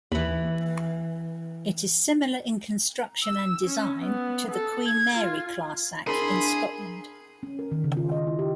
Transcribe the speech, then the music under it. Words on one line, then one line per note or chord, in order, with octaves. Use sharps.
It is similar in construction and design to the Queen Mary Clarsach in Scotland.
D#2 E3 B5
E6
C#4
B3
A4
G#6
F4
C4 D4 E4 G#4 A#4 B5 C6
C#4
A#4
D#3
C#3
F4
D#5
E4
G4